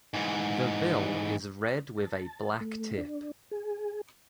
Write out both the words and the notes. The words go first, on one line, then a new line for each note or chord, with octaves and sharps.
The bill is red with a black tip.
G#2 E3
A5
A3
D4
G#4